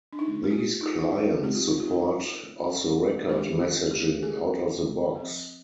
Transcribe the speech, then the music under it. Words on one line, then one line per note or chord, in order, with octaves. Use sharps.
These clients support Off-the-Record Messaging out of the box.
D4
D#4
G4
F4
D#4
F4
D#4
D#4
F3 G#3 C4 G4
F4
D#4
F4
D#3 G#3 D4 G4
F4
G4
G#4
F3 C4